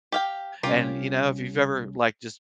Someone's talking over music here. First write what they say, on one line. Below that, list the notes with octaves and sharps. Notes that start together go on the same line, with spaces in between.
and, you know, if you've ever, like, just
G4 F5 G5
C2 C#4 F4 G4 A#4